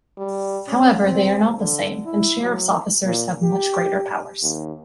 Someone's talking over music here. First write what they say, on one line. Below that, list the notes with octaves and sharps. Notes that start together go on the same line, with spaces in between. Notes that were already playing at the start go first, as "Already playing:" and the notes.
However, they are not the same, and sheriff's officers have much greater powers.
G3
C#4
C4
D3
E4
F#3
A#2
G4
D#2